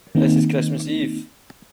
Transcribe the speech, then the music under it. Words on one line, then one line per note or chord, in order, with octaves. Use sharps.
This is Christmas Eve.
D#3 A#3 C4 D#4